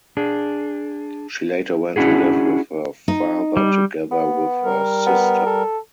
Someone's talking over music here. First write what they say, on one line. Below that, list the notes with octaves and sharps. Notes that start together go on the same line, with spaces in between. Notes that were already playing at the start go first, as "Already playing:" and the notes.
She later went to live with her father together with her sister.
D4 G#4
C#4 D4 E4 F#4 G#4
D#4
G3
B3
G3 A#4
B3
A4